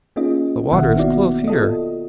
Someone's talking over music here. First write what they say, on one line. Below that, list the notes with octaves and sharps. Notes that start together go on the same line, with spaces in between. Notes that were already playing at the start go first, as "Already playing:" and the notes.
The water is close here.
A#3 C#4 D#4 F4 G#4 D#5
G#1 B2 D#3 A#3 E5 F#5
B3 D#4 E4 F#4 D5
F4 A4 D#5